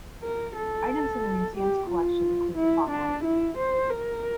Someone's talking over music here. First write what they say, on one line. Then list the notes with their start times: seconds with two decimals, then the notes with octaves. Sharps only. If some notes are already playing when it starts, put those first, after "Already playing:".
Items in the museum's collection include the following.
0.23 A#4
0.57 A4
1.57 G4
1.90 F4
2.56 E4
2.90 D4
3.24 E4
3.57 C5
3.90 A#4